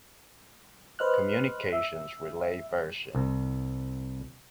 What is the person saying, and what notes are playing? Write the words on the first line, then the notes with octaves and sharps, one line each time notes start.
Communications relay version.
B4 C5 D#5 F6 F#6
E5
C2